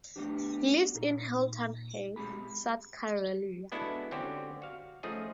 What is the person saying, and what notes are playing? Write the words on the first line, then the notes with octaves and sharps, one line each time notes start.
He lives in Hilton Head, South Carolina.
G3 A3 B3 C4 D4 G4
A#2 D#4
B1 G#3 C4 G4 G#4 B5
G#3 B3 D4 E4 F#4 A4
D3 C4 C#4 F#4 G4
F#4 F5
C#3 F3 A3 D#4 G#4